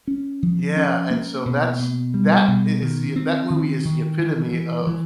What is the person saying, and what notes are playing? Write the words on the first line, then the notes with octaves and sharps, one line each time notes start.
yeah, and, so, that's that i is i that movie is the epitome of
C#4
F3
C#4
A#3
B2
B2
G3
B2
D#3
C4
D#3
D#3
E3
E3
E3